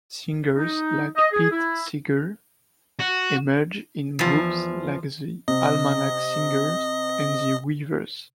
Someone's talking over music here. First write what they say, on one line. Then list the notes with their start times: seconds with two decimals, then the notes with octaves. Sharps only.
Singers like Pete Seeger emerged, in groups like the Almanac Singers and The Weavers.
0.58 D#4
1.16 D#5
1.32 G#4
1.52 E4
3.00 F#4
4.19 E2 F3
5.48 C3 D#5